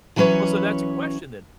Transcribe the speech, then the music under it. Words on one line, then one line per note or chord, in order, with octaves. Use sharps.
Well, so that's a question then.
E3 F#3 C#4 B4 C#5